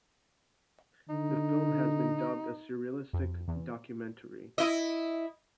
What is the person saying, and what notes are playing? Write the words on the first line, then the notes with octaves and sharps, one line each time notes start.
The film has been dubbed a "surrealistic documentary".
D3 D#4
F2
E2
E4 D#5